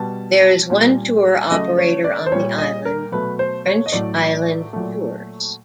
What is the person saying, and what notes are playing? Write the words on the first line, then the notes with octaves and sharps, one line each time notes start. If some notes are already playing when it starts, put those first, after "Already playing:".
There is one tour operator on the island, French Island Tours.
Already playing: B2 G3 A5
A#2 G3
C#3 F#3 A3 D#5
C#5
D5
C5
A#2 G3 C#5
D#5
A#4
B2 F#3 A3 B4
C5
C#5
D#5
A2 F#3 A3 D5
A#2 F#3 A3